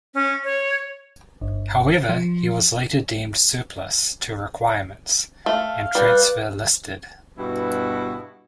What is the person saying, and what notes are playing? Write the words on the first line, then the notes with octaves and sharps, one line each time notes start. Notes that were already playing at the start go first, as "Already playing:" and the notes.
However, he was later deemed surplus to requirements and transfer listed.
C#4
C#5
G1
F3
A3 F5
G3 B4
G2 B2 B3 E4 F#4